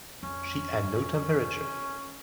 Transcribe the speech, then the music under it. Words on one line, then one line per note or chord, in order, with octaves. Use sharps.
She had no temperature.
F2 C#4